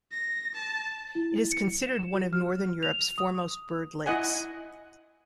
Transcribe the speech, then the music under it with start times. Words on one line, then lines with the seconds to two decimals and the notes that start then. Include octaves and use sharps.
It is considered one of northern Europe's foremost bird lakes.
0.11 A#6
0.55 A5
1.15 E4
1.52 C#7
1.82 E7
2.14 F#4
2.33 F6
2.83 F7
3.18 D#6
4.06 E4 D#5 F#5 G#5